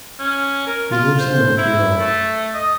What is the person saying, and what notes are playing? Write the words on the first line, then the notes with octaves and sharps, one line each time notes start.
He lives in Montreal.
C#4
A#4
F4
C5
E4
A3
D#5